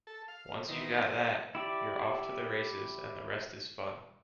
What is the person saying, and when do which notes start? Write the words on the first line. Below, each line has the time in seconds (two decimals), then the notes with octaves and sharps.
Once you've got that, you're off to the races and the rest is fun.
0.07 A4
0.28 F5
0.69 D#3 E3 B3 C4 D#4
1.03 D#5
1.55 E4 G4 D5